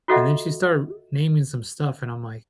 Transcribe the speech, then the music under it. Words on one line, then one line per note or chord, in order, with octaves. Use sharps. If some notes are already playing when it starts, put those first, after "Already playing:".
And then she started naming some stuff, and I'm like
F4 F#4 A4 D#5 E5 F#5